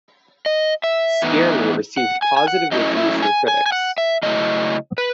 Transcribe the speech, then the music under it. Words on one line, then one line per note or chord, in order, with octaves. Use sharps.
Scare Me received positive reviews from critics.
D#5
E5
A2 E3 B3 D#4
F#5
G#5
G#5
F#5
F#3 A3 C#4 E4 D#5
E5
G#5
G#5
G#5
F#5
E5
C#3 F#3 A3 E4 D#5
B4